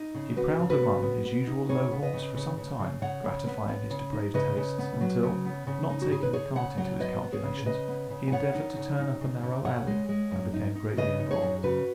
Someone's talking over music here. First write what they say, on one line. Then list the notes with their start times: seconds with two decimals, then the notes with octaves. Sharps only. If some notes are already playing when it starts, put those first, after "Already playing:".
He prowled among his usual low haunts for some time, gratifying his depraved tastes, until, not taking the cart into his calculations, he endeavoured to turn up a narrow alley, and became greatly involved.
Already playing: D#4
0.15 C#3
0.37 B3 F#4 B4
0.59 C#3
0.70 F#4 B4
0.81 B3
1.03 B3
1.25 B3
1.47 D#4
1.69 C#3 G#4 C#5
1.91 B3
2.02 B4 D#5
2.14 C#3
2.36 C#3
2.58 C#3
2.80 C#3
3.02 C#3 C#5 F#5
3.24 C#3
3.46 B3
3.68 B3
3.90 C#3
4.13 D#4
4.34 C#3 B4 D#5
4.57 C#3
4.78 B3
5.01 F#3
5.23 C#3
5.45 B3
5.67 C#3
5.89 D#4
6.02 F#4
6.11 C#3 G#4
6.23 B4
6.33 C#3 G#4 C#5
6.55 C#3 C#5 F#5
6.77 F#3 C#5 F#5
7.00 B3 B4 D#5
7.22 B3
7.32 G#4 C#5
7.44 C#3
7.66 C#3 B4 D#5
7.88 B3
8.10 C#3
8.28 G#5
8.32 B3 C#5 F#5
8.55 D#4
8.76 C#3
8.99 D#4
9.21 C#3
9.43 C#3
9.65 C#3 C#5 F#5
9.87 G#3
10.09 G#3
10.31 F#2
10.54 D#4
10.75 D#4
10.97 C#3 B4 D#5
11.19 D#4
11.31 G#4 C#5
11.42 F#2
11.64 C#3 F#4 B4